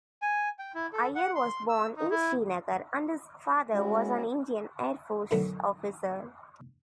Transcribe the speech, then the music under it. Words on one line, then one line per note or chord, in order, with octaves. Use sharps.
Iyer was born in Srinagar and his father was an Indian Air Force officer.
G#5
G5
E4
A4
F#5
C6
E6
D#4
E4
G#3 C#4 E4 F#4
B2 D3 D#3 F#3 A3